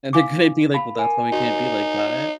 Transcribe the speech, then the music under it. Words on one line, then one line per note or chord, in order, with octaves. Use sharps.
And they're gonna be like, "Well, that's why we can't be like that."
F5 G#5 D6
F5 A5 B5
A#4 G#5
D#4 F#4